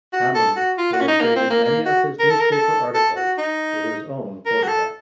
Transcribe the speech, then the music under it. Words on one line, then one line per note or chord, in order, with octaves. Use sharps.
Hammond illustrated many of his newspaper articles with his own photographs.
F#4
A4
F#4
F4
F#4
C#4
D#4
A#3
C4
A#3
A#3
F#4
A#4
A4
A#4
A4
A4
F#4
D#4
A#4
F#4
A4